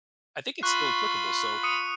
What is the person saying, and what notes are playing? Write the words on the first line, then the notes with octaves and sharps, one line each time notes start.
I think it's still applicable. So,
F4 B5 C#6 F#6
D#6 C#7 D#7